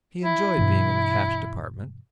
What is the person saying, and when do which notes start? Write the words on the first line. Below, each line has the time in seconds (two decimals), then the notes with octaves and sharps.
He enjoyed being in the Cash Department.
0.23 E4
0.57 G2 B2 E3